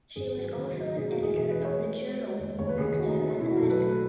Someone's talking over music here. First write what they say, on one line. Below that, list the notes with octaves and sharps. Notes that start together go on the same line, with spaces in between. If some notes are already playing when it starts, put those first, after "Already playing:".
She was also an editor of the journal "Acta Mathematica".
G#1 G#4
F#3
D#3
F#3
B2 G#4
F#4
E2
G#4
E1 G#4
B4
B2
C#5
G#3
G#3
G#3
D#2
D#2 C#5
B4
D#3 G#4
A3 F#4
D#3
B2 E4
F#4
B1 A4
B4
A3 B4